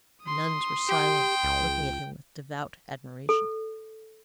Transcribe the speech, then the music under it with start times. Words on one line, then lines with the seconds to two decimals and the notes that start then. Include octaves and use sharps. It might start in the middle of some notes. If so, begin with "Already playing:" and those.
The nuns were silent, looking at him with devout admiration.
0.24 C6 D#6
0.89 G4 G5
1.43 C#2
3.29 A4